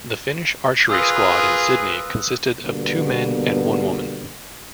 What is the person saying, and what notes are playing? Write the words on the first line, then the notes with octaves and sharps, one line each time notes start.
The Finnish archery squad in Sydney consisted of two men and one woman.
F4 G#4 A#4 B4 D#6 E6 F#6
B2 D3 G3 A#3 B3